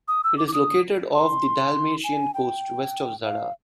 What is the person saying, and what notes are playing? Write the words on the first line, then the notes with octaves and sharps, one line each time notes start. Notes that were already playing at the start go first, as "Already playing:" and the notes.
It is located off the Dalmatian coast, west of Zadar.
D#6
E6
D6
D6
D#6
C6
G#5
G5
F5